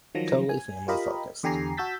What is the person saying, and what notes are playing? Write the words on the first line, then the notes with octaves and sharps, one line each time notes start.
Totally family focused.
D#3 F3 F#3 A#6
G#5
F4 G4 A#4 D#5 B5
E2 D3 G4 G#5 A#5 C7
F#4 A5 E6 G6 A6 B6